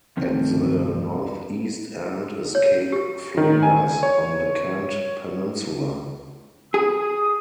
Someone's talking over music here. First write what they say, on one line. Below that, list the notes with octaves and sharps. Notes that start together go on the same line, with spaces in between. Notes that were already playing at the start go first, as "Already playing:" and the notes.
At the northeast end is Cape Flinders on the Kent Peninsula.
G1 C2 F2 C3 D#3 A3
C#5
G4
D#3
G#5
C#5
G#4 D#6